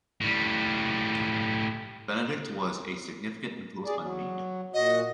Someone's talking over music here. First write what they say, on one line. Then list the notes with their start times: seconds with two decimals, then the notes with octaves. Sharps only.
Benedict was a significant influence on Mead.
0.21 A2 G3
3.86 G#4 D5
4.01 F#3
4.74 A#2 F#4 D#5